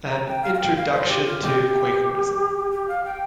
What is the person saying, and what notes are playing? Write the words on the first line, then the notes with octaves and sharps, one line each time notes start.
"An Introduction to Quakerism".
A#5
G5
F5
F5
G5
F5
C5
G4
F4
G4
G4
F5
G5